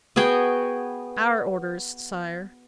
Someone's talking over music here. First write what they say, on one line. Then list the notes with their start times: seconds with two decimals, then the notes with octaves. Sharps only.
"Our orders, Sire."
0.16 B3 F#4 G#4 G5